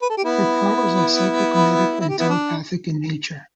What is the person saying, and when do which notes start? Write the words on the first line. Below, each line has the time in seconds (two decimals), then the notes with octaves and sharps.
Her powers are psychokinetic and telepathic in nature.
0.02 B4
0.09 A4
0.17 G4
0.24 B3 E4
2.01 E4
2.09 G4
2.19 B3 E4
2.29 D4